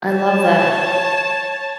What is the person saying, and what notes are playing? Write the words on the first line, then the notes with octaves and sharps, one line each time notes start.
I love that.
C#5 A5